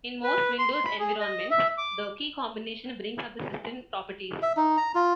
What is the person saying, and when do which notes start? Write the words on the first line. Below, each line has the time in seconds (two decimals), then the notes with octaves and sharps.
In most Windows environments, the key combination brings up the system properties.
0.23 B4
0.59 C6
0.71 C6
0.85 B5
0.99 G#4
1.21 D#5
1.51 E5
1.78 D6
4.42 E5
4.57 D#4
4.77 A#5
4.95 F4